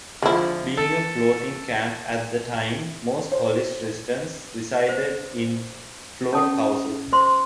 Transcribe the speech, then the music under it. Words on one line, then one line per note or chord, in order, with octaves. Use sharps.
Being a floating camp at the time, most Hollis residents resided in float houses.
D3 F3 G#3 E4
A4
C5
C5
C#4 A5 D#6
C5 C6